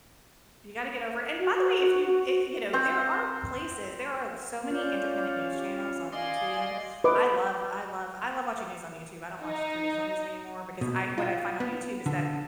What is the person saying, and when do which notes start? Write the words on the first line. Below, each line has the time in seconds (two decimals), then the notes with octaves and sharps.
You gotta get over and by the way, if you i you know, there are places, there are so many independent news channels on YouTube. I love I love I love watching news on YouTube, I don't watch traditional news anymore because I what I find on YouTube is that
1.37 F#4
2.73 C4 C5
4.71 C#4 F4 D5 D6 G6
5.50 G4
6.12 D5 D#5 F5 G#5 C6
7.04 B4 D#5 D6
9.42 D#4
10.81 B2
11.18 F4
11.60 B3
12.06 D3